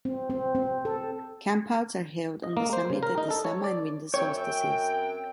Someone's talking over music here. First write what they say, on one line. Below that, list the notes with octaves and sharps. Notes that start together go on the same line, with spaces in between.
Campouts are held on the summit at the summer and winter solstices.
C4
C4
C4
A4
D#5
A#3
C5
C#3
A#4
D#4
A4
C#5
D5
F#2 C4 C#5 G5